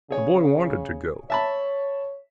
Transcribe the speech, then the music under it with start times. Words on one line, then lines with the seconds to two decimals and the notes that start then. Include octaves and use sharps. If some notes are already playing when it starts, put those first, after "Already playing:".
The boy wanted to go.
0.10 C#3 G#4 C#5
1.30 C#5 E5 A5 B5